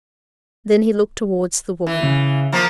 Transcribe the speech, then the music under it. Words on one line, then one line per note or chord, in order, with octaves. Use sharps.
Then he looked towards the woman.
E3
C#3
F3 A#3